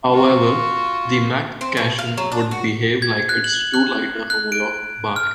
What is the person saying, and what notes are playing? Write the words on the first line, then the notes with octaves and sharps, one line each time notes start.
However, the Mc cation would behave like its true lighter homolog Bi.
F4 F#4
C4
B2
F5
F#3
D4
F#4
G#6
F#6
F#7
F#6
F#6
D7
F6